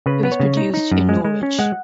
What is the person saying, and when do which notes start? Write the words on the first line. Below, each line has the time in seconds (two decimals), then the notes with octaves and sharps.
It was produced in Norwich.
0.06 C#3 B4
0.23 B3 B4
0.32 C#5
0.40 C#3
0.57 D#4
0.74 D#4
0.91 F#2
1.09 G#3
1.25 G#3
1.43 C#4
1.59 G#3 F#5